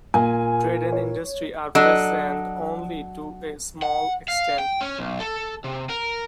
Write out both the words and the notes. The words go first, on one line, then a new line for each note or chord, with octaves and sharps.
Trade and industry are present only to a small extent.
A#2 G#5
C#5
F#3 D4 A4 D#5
F#5
F5
G5
C#4
B1
A4
C3
A#4